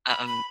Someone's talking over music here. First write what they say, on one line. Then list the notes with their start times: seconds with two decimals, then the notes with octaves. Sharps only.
Uh um,
0.09 B5
0.26 B5